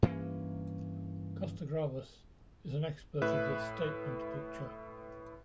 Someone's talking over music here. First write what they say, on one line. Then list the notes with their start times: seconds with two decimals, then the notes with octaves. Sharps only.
Costa-Gavras is an expert of the "statement" picture.
0.02 G2 E3 A#3 C#4
3.22 A2 B4 E5 F#6